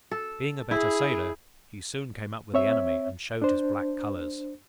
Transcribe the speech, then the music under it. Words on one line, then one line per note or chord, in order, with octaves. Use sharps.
Being a better sailer, he soon came up with the enemy, and showed his black colors.
A4
E4 G#4
C4 C#5 E5
D4 C5